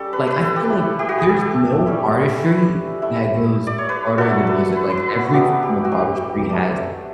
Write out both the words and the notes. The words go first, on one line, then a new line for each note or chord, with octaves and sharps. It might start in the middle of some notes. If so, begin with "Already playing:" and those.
like, I feel like there's no artistry that goes harder than music. Like, every form of artistry has
Already playing: G3 C#4 G4 A4
B4
B4
A4
G4
A3 E4
G4
F#4
G4
A4
G3 C#4 E4
B4
A3 E4
D5
C#5
B4
F#3 A3 D4 A4
B4
B4
B4
F#4
F#3 B3 D4 G4
G4
F#4
G4
A3 D4